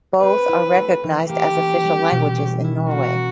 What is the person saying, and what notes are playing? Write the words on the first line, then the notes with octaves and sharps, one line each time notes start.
Both are recognized as official languages in Norway.
C4 B4
E4
A3
E3
A#3 G4
C#4
G3
B2
C#4
E4
A#3 F#4